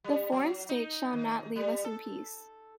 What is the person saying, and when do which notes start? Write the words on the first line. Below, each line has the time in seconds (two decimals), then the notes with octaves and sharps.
The foreign states shall not leave us in peace.
0.04 G3
0.32 F#3
0.69 D#4
1.13 D#3
1.56 G3
1.84 A4